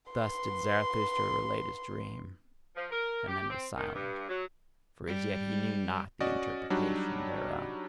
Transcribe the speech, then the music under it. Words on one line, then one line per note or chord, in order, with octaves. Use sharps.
Thus did Zarathustra relate his dream, and then was silent: for as yet he knew not the interpretation thereof.
B4 C6
F3
A#4
G4
C4
D#3
G2
F#3
G3
C#4 F#4 D5 D#5
F#3 G3 D4 D#4 F#4